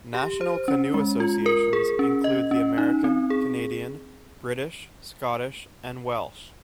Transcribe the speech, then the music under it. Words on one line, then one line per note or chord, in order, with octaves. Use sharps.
National canoe associations include the American, Canadian, British, Scottish, and Welsh.
G4
C5
C#4
G#3
F4
A#4
G#4
C#4
D#5
C#4
D#4
C4
G#4